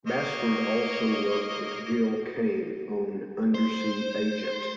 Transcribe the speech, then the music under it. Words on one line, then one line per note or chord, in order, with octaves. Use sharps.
Bassford also worked with Gil Kane on "Undersea Agent".
A#3 C#5 D#5
C5